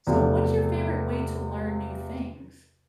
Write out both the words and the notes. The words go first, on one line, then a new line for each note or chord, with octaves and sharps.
So, what's your favorite way to learn new things?
E2 C3 F3 A3